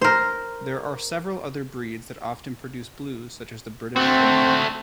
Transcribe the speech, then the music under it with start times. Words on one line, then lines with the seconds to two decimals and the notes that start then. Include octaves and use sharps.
There are several other breeds that often produce blues such as the British Shorthair.
0.01 A#4 C5
3.96 A3 C4 F#4